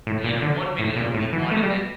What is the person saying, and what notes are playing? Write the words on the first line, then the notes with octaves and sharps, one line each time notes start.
you know, one minute it'll be one, and then
A2
A#2
D3
A2
A#2
A2
E3
A3
G3